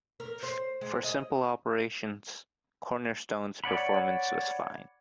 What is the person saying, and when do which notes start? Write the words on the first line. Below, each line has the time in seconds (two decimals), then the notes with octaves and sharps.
For simple operations, Cornerstone's performance was fine.
0.20 A#4
0.43 C5
0.81 G#3
1.04 D#5
3.64 C#5 D5 F#5 B5